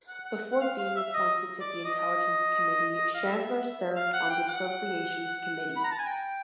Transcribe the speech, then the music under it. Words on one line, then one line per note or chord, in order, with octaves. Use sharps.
Before being appointed to the Intelligence Committee, Chandler served on the Appropriations Committee.
F#5
F#5
F#5
F5
F5
E5
D#5
D5
D#5
F5
E5
F5
F#5
G5
F#5
B5
A#5
A5
G#5
G5